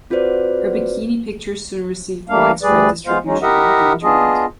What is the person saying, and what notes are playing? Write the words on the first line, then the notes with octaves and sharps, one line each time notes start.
Her bikini pictures soon received widespread distribution over the Internet.
C4 F4 F#4 B4 C5 D5
G3 A3 A#3 D4 F5
D2 G3 G#4 B4 D5
G#3 B3 F4 C5 F5
F#3 G#3 C#4 D#4
E4 G4 A#4 D#5 E5 F#5
B3 D4 F4 G#4 D#5